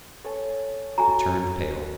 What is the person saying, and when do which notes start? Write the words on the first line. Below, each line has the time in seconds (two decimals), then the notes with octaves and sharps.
He turned pale.
0.24 A4 C#5 G#5
0.98 F#4 A4 G#5 A#5